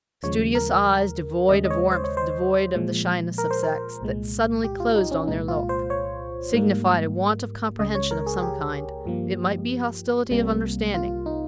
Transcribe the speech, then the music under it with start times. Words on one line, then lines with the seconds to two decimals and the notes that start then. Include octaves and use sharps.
Studious eyes, devoid of warmth, devoid of the shyness of sex, that suddenly closed on their look, signified a want of comprehension of some kind, it might be hostility of understanding.
0.23 D#2 C#3 F3 G#3 C#5
0.55 A#4
1.49 D#2 C#3 G#3 D#5
1.65 D#5
1.70 C#5
1.91 C5
2.04 C#5
2.17 C5
2.75 A#2 F3 G#3
3.38 A#4
3.51 C5
3.63 A#4
4.02 C2 A#2 G#3
4.64 G4
4.80 F4
4.96 D#4
5.11 C#4
5.28 C2 A#2 G#3 D#4
5.48 F4
5.69 C5
5.90 C#5
6.53 G#2 G3 A#3
7.79 C#2 C#3 G#3 D#5
7.95 C#5
8.11 A#4
8.26 G#4
8.38 G#4
8.42 G4
9.06 G2 F3 A#3
10.31 C2 C3 G3 A#3
10.94 F4
11.26 D#4